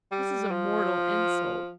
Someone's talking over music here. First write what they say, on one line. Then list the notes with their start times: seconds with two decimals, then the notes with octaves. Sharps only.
"This is a mortal insult!"
0.12 G3
0.51 F3